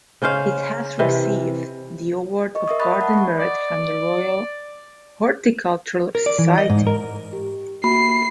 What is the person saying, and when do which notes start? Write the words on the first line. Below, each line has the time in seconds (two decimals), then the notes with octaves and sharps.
It has received the Award of Garden Merit from the Royal Horticultural Society.
0.22 C#3 C#4 C5 F5
0.99 C3 E3
2.55 D#5 C#6
2.68 A#4 E5 D#6
2.79 D5 B5 D#6 F#6 A6
3.01 F#5 A5
3.13 F#5 C#6
3.39 D5
6.15 A#4
6.26 D5
6.39 E3
6.58 D#5
6.70 G#2
6.87 A#4
7.33 G4
7.84 A#3 F#4 B5 C7